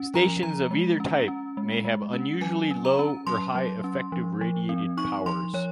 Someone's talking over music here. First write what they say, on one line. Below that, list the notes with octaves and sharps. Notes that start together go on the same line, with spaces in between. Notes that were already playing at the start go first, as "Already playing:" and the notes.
Stations of either type may have unusually low or high effective radiated powers.
Already playing: C#4
F3 A#5
F3 A#5
G#3
C#4
C#4
G#3
G#3
C#4
F#3 G#5
C#4
A#5
C#4
F#3 C6
F#3
C#4
F3
F3
C4
D#4 C#6
F3 C6
F3 C#5